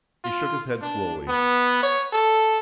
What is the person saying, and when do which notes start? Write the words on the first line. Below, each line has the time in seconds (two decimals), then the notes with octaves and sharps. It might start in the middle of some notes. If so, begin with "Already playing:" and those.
He shook his head slowly.
0.24 F4
0.82 D4
1.28 B3
1.83 C#5
2.13 A4